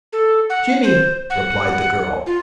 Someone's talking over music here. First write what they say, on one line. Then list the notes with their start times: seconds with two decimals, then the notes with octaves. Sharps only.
"Jimmy," replied the girl.
0.13 A4
0.50 F#5
0.83 C5
1.30 F#5
2.26 F4